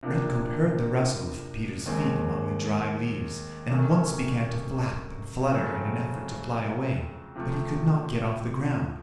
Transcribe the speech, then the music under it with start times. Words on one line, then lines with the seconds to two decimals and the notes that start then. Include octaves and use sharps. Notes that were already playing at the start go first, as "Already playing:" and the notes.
Redcoat heard the rustle of Peter's feet among the dry leaves and at once began to flap and flutter in an effort to fly away, but he could not get off the ground.
0.03 C3 F3 A#3 D4
1.86 D#2 D#3 G#3 C4
3.69 C3 D#3 F#3 A3 C#4
5.52 F2 C#3 F#3 A3 C4
7.36 C3 F3 A3